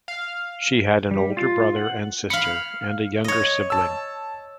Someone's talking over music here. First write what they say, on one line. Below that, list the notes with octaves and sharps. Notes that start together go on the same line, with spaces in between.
She had an older brother and sister, and a younger sibling.
F5
G3
F4
F#5
F5 B5 C#7
C#5 D#5
A5 E6